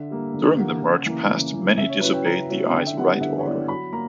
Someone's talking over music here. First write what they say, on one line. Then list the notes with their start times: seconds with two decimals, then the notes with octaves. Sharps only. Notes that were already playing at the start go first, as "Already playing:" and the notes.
During the march-past, many disobeyed the "eyes right" order.
Already playing: D3 E5
0.10 G3 A#3
0.34 D3
0.58 G3 A#3 F#5
0.82 C#3
1.06 E3 A#3
1.30 C#3
1.53 E3 A#3
1.77 C#3 E5
1.89 C#5
2.01 F#3 C#4 E4 B4
2.13 G5
2.25 C#3 A#5
2.49 F#3 C#4 E4
2.73 D3 G5
2.86 E5
2.97 G3 B3 E4 F#5
3.20 D3 E5
3.38 C#5
3.45 G3 B3 E4 D5
3.68 F#3 B5
3.92 A#3 A#5